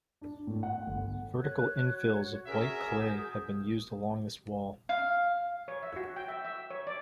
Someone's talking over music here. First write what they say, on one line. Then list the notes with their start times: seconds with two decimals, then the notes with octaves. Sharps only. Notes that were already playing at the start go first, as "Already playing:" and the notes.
Vertical infills of white clay have been used along this wall.
0.21 D4
0.47 A2
0.63 F#5
0.87 G1
1.42 C#5 F#6 G#6
1.86 F#4
2.47 C#4 G#4 A#4 E5
2.99 D#6 G6
4.89 F5
5.68 C#5
5.83 E5
5.96 F#4
6.16 G5
6.28 E5
6.45 E5
6.70 C#5
6.87 D5